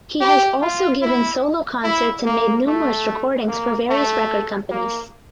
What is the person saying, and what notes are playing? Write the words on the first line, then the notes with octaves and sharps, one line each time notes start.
He has also given solo concerts and made numerous recordings for various record companies.
G4
F4
E4
E4
A#3
A3
A#3
A3
A#3